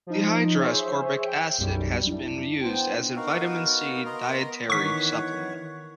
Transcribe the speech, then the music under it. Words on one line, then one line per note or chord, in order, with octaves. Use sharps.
Dehydroascorbic acid has been used as a vitamin C dietary supplement.
F3 D#4
G#4 C5 C#5 E5
G5
B1 F#2 G3
D4 E4
B3 C5 G5
B3 D#4 F#4 A#4 F5
D#5 A#5 C6
D#3 E3 C#5 F#5 C#6 B6